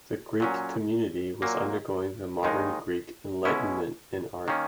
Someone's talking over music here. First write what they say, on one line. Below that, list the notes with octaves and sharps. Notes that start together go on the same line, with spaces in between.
The Greek community was undergoing the Modern Greek Enlightenment in art.
A#2 F#3 C#4
A#2 F#3 A#3
D#2 D#3 G#3 D#4
B2 G#3 C#4 E4
D#3 A#3 C#4